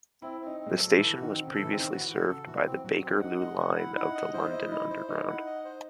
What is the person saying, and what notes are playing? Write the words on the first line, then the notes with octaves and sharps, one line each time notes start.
The station was previously served by the Bakerloo line of the London Underground.
C4 E4
C4
D#4
C4
G#3
F#3
A4
E3 A4
F#4
D#3
C4
C#3
A4
E3
D#3 C4
F#4
E3
F#4
C#3
A4
E3 F#4
C4
F#3 F#4
C4
D#4 F#5
D#5
C#4 F#5
E4
D#4 F#5
D#5
E4 C5
D#4
E4 D#5
D#4 E4
C5
D#4 E4
F#5
D#5
C5